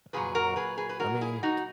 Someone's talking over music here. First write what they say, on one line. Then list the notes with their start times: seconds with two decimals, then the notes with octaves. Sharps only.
Ah, I mean,
0.13 A#2 F#3 G#4 B4
0.35 F#4 A#4
0.56 G#4 B4
0.78 G#4 B4
0.89 B4
0.99 F#4 A#4
1.21 E4 G#4
1.43 D#4 F#4